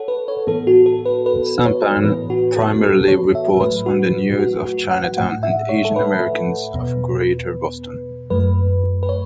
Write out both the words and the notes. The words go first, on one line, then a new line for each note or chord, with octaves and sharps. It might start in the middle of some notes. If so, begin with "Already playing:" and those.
"Sampan" primarily reports on the news of Chinatown and Asian Americans of Greater Boston.
Already playing: A4 C#5 F#5
B4
C#5
A2 E3 B3 A4
F#4
A4
B4
B4
C#5
A2 E3 B3 B4
F#4
A4
A4
C#5
E5
A2 F#3 A3 B4
F#4
F#4
F#4
F#5
A2 A3 F#5
E5
C#5
A4
B4
E2 B2 B3
F#2 F#3 A3 B4
B4
C#5